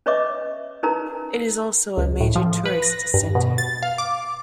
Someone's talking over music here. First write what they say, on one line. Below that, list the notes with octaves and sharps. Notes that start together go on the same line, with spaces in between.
It is also a major tourist centre.
C#4 B4 C#5 D#5 E5 D6
C#4 D#4 A#4 B4 A#5
C#2
A2
F3
B4
A#6
G2
B2
A6
F5
D6